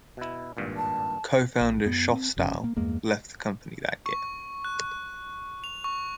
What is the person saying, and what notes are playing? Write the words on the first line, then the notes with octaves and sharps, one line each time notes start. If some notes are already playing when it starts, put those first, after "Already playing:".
Co-founder Schoffstall left the company that year.
B2 E4
G#1 G2 A#2
A5
A#1
F#2 B3
C4
G1 F#2 C#3 C#4
A#3
E2 G2 G#3 A#3
C#6
F#6
F7
C#6